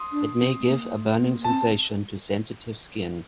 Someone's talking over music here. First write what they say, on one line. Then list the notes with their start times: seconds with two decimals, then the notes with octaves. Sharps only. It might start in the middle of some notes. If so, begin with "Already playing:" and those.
It may give a burning sensation to sensitive skin.
Already playing: C6 D#6
0.12 D4
0.39 C4
0.59 A3
0.66 A#3
0.93 A3
1.21 A#3
1.44 C4 A5